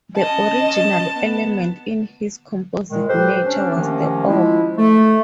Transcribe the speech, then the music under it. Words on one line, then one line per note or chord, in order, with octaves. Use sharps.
The original element in his composite nature was the oak.
C#4 D#5 A5
B3
A#2 D#3 G#3
G4 A4 B4 C5
C#4 D4
C3 D#3 F3 A3 A#3 C#4
F3 G#3 E4
A3